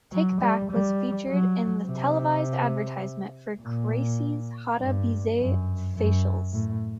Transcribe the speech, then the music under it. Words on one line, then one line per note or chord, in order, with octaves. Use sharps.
"Take Back" was featured in the televised advertisement for Kracie's Hada-bisei facials.
F#3
G3
G3
F#3
C3
A#2
G2
F#2
F#2
A2